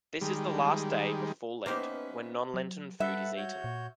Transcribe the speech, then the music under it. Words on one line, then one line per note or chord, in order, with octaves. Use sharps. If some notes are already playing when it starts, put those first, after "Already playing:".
This is the last day before Lent when non-lenten food is eaten.
D#3 G3 G#3
A#3 B3 C#4 D#4 G4 B4 C5 E5
F#3
G3 A4 B4 E5 F#5
F#4 C#5 G6
A#2